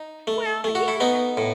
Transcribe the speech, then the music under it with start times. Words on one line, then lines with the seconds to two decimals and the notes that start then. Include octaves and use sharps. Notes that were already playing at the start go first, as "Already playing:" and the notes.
Well, you
Already playing: D#4
0.27 A3
0.64 A3
0.75 F#4
0.88 E4
1.00 B3 D#4
1.37 A2